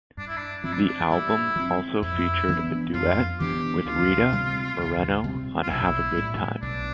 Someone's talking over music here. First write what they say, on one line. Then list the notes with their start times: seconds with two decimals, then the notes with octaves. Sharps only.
The album also featured a duet with Rita Moreno on Have A Good Time.
0.17 G2 D4
0.27 E4
0.36 D4
0.64 F3 C4 E4
0.72 D4
0.87 D4
1.10 G2 E4
1.56 F3 C4
2.02 F2 E4
2.48 E3 B3 D4
2.94 F2 F4
3.40 E3 B3 D4 G4
3.86 D2 F4
4.33 C3 G3 C4
4.78 D2
5.24 C3 G3 C4
5.63 F4
5.70 B1 E4
6.16 A2 G3
6.62 B1 D4